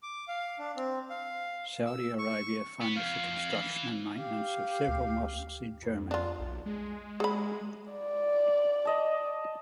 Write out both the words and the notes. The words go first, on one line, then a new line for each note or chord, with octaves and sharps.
Saudi Arabia funds the construction and maintenance of several mosques in Germany.
D6
F5
D4
C4
F5
E6
C#6
B3
F2 F5
E3
G4 F5
D2
F2
D4 F4
B1
G#3
G#4 B5
D5
D#5 A5